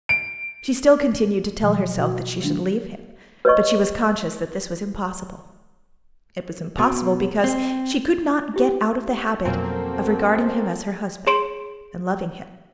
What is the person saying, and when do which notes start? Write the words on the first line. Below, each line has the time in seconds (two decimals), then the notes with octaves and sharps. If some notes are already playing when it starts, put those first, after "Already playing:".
She still continued to tell herself that she should leave him, but she was conscious that this was impossible; it was impossible because she could not get out of the habit of regarding him as her husband and loving him.
0.09 D7
1.60 B2 D#3 F3 F#3
1.96 B2 F#4
2.40 D#3 F#3 G3 A3 D4
3.45 B4 C#5 D#5 C#6
6.78 B2
7.44 C4
8.54 E4 G4
9.45 F2 B2 F#3 A#3 C4 F#4 A4 G#5
11.27 G#4 C#5 C6 D7 E7